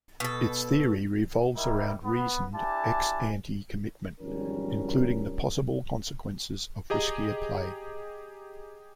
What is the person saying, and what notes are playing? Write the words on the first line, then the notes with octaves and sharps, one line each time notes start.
Its theory revolves around reasoned, ex-ante commitment, including the possible consequences of riskier play.
B2 A4
G3 D#4 E4 A#4
B3
D4 E4 G4 G#5 A5
G#1 E2 F3 G3 C#4 A#4
G4 G#4 D#5 A#5